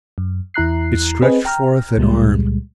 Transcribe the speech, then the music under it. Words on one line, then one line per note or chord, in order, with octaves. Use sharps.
It stretched forth an arm.
F#2
E2 E4 A#5 F#6 C7
C4 G#4 B4 D#5
G5 A#5 F6
C#2 A#2 G3 G#3